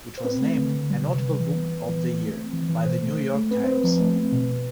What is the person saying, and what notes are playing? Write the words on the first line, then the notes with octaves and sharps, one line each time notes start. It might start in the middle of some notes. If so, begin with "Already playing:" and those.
It was named a Notable Book of the Year by "The New York Times".
C5
C4 B4
A3
D3
D3
G3
C3
G3
E3
B3
B3
E3
E3
A3
C4
E3
E3
B2 C5
A3
A3
A3
C4 B4
C4 C5
B4
F3
A3
C4
B2
B2